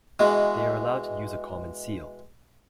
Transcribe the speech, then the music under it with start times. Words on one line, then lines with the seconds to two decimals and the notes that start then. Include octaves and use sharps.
They are allowed to use a common seal.
0.19 B2 E3 G#3